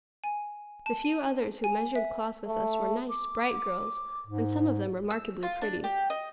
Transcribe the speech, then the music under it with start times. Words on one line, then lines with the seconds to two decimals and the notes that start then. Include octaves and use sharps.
The few others who measured cloth with us were nice, bright girls, and some of them remarkably pretty.
0.24 G#5
0.86 A5
1.05 D#7
1.64 G#5
1.95 E5
2.47 A3
3.09 D6
4.27 G#2
5.11 E6
5.43 F4
5.62 D4
5.84 G4
6.10 D#5